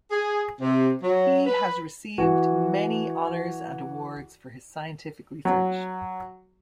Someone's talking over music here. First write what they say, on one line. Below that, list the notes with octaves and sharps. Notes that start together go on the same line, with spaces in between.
He has received many honors and awards for his scientific research.
G#4
C3
F#3
B4
E3 F#4
F#3